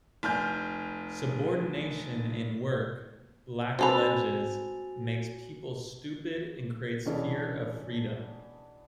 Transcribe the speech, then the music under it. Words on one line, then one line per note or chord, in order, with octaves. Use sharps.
Subordination in work, Black alleges, makes people stupid and creates fear of freedom.
F1 G#5 F6 G6
C4 F#4 A4 B4 G#5 F7
B2 E3 C#4 D4 G#4 A4